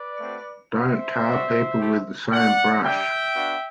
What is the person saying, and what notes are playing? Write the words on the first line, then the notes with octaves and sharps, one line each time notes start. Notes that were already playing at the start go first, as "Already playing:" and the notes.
Don't tar people with the same brush.
Already playing: B4 D5
A3 C4 F#4
B3 D4 G4 C5 E5
G3 C4 F#4
A3 E4 G4
A3 D4 F#4 D5 F#5
G3 D4 G4 E5 G5
B3 D4 F#4